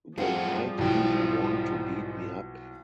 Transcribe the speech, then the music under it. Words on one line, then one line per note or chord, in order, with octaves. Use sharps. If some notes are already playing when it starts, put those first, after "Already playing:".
They might even want to beat me up.
F#2 A2 F3 G3 C4 F4 G#4 F#5
B1 G#2 E3 G5